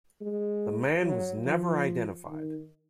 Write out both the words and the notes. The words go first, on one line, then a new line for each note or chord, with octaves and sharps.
The man was never identified.
G#3
F#3
F3
D#3